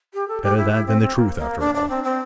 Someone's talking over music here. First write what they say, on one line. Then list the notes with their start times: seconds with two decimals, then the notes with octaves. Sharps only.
Better that than the truth, after all.'
0.14 G4
0.28 A4
0.43 G4
0.57 E4
0.72 E4
0.86 C4
1.01 C4
1.16 A#3
1.38 A#3
1.60 D4
1.75 D4
1.90 C4
2.04 C4